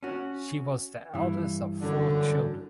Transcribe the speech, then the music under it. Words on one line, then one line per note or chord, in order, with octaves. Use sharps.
She was the eldest of four children.
C#4 F#4
G2 E3
F#2 D3